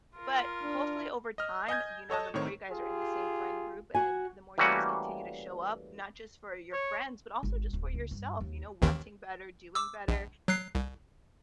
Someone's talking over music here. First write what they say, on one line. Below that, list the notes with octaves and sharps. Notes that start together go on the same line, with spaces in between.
but hopefully, over time, you know, the more you guys are in the same friend group and the more you just continue to show up, not just for your friends, but also just for yourself, you know, wanting better, doing better,
F4 A#4
D4
D#5 F6
D#5 G#5 G6 G#6
A4 C#5 D#5 A5
A2 D#3 C4 C#5 C#6
F4 G4 G#4
F#4 G#5
E3 G3 A3 A#3 C#4 F#4
C#5
G#1
D1
C#2
G2
D#2
A1 D#2 D#3
D6 E6
A#1
F#3 F#6 C7
C2